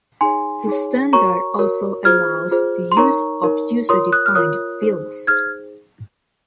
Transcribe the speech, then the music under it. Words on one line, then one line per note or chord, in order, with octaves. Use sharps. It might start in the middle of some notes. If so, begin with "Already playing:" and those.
The standard also allows the use of user-defined fields.
D#4 G#4 C#5 G#5 C6
D#4 G#4 C#5
F#4 A#4 C#5 A#5 C#6
F#4 A#4 C#5
F4 G#4 C5 F6 G#6
F4 G#4 C5
C6
D#4 A#4 C#5 A#5 C#6
D#4 A#4 C#5
F4 A#4 C#5 C6 D#6
D#6 F#6
F6
F4 A#4 C#5 D#6 F#6
D#4 G#4 C5
D#4 G#4 C5 F6 G#6